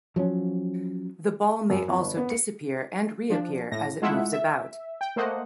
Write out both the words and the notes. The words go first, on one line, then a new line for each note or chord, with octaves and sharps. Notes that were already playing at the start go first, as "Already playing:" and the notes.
The ball may also disappear and re-appear as it moves about.
F3 F#3 C4 C#4
F#2
F2
G1
B3
C#7
F3 D4
A2 A#6
G#3 A3 E4 F4 E5 F#5
E5
G5
A3 A#3 C5 D#5 F#5